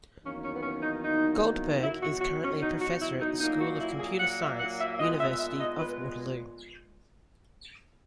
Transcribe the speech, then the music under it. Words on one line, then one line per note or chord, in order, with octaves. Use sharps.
Goldberg is currently a professor at the School of Computer Science, University of Waterloo.
E2 D#3 F#3 A#3 C#4
C#4
B3
C#4
D#4
D#4
E2 B2 F#3 E4
F#4
F#4
C#4
D#4
F#4
E4
D#4
A#2 F#3 A#3 D#4
F#4
E4
G#4
F#5
E5
F#5
E5
A#2 G#3 B3 D#5
E5
E5
D#5
B4